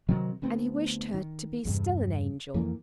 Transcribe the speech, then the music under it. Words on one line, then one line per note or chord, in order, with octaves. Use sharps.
And he wished her to be still an angel.
C3 D#3 F#3 C4
D2 B3 C4
D#3
E2 G2 C3
F2 E3 A#3